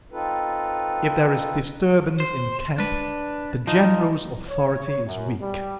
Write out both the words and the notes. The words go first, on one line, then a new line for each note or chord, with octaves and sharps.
If there is disturbance in the camp, the general's authority is weak.
C4 D#4 F4 A4 B4
C5
D4 B4
F3 D#4
C#5
F#2
G3